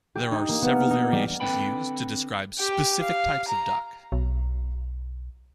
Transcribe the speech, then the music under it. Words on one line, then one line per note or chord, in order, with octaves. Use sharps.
There are several variations used to describe specific types of duck.
G4
D#4
A#3
B3
F6
D#4
G3
D3 C4 B4 G5 B5
G4 G5
F5
A#5
B1